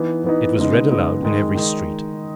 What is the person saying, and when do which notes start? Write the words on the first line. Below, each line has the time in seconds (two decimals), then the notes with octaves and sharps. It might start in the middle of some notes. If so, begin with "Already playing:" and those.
It was read aloud in every street.
Already playing: E3 B3 D#4
0.24 E3 B3 D#4
0.58 C#3 G#3 B3 D#4
0.90 C#3 G#3 B3 D#4
1.23 D#3 G#3 D#4
1.55 D#3 G#3 D#4